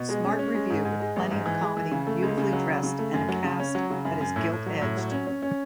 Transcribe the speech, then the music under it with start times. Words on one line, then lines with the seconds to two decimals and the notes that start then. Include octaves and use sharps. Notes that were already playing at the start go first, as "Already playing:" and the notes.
Smart revue with plenty of comedy beautifully dressed and a cast that is gilt-edged.
Already playing: B2
0.09 G#3
0.25 C#4
0.39 C#4
0.55 G#3
0.70 G#2
0.85 G#2
1.00 G#3
1.16 A1
1.31 G#2
1.46 E3
1.61 G#3
1.77 E3
1.92 C#3
2.07 A3
2.22 C#2
2.38 C#3
2.53 F#3
2.68 C#3
2.83 C#3
2.99 A3
3.14 F#2
3.29 F#3
3.44 C#3
3.60 C#4
3.75 F#3
3.90 C#3
4.05 F#2
4.21 F#2
4.36 A2
4.51 A2
4.66 F#3
4.81 A2
4.97 F#3
5.11 C#4
5.27 C#4
5.42 C#4